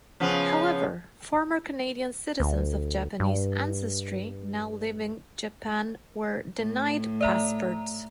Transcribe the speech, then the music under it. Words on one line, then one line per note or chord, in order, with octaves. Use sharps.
However, former Canadian citizens of Japanese ancestry now living Japan were denied passports.
C#3 F3 B3
D2
G2
A2
D5 E5 A#5